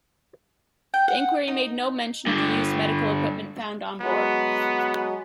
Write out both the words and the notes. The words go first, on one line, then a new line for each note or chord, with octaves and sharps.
The inquiry made no mention of the used medical equipment found on board.
G5
F#5
D#4
G2 D3
F#3 G#3 B3